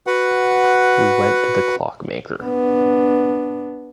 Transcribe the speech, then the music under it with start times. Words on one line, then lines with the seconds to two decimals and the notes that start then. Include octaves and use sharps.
We went to the clockmaker.
0.07 F#4 B4 F#5
2.43 B3 D4